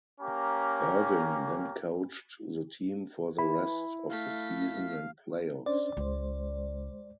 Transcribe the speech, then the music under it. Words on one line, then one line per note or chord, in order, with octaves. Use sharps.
Irvin then coached the team for the rest of the season and playoffs.
A#3 C#4 G4 A#5
E3 E4 B5
A3 F5 B6
C#4 D4 C5 D5
C#2 G#3 C5